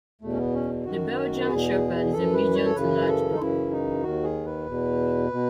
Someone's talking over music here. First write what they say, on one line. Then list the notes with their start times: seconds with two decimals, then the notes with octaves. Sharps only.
The Belgian Shepherd is a medium-to-large dog.
0.21 E2 B2 A3
0.33 C#4
0.37 B3
0.54 C#4
0.85 F#2 D#3 F#4
1.48 E2 B2 G#4
2.12 F#2 E3 A4
2.33 B4
2.55 C#5
2.65 A4
2.75 F#2 C#3 E3 B4
3.08 A4
3.32 D#4
3.39 F#2 C#3 E3 E4
3.71 D#4
4.03 D#2 D#3 F#4
4.24 G#4
4.46 B4
4.66 E2 B2
5.32 B2